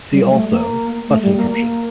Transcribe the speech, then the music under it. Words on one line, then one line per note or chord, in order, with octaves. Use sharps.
See also bus encryption.
G3
G3
A3
A#3
A3
G3
A#3
A#3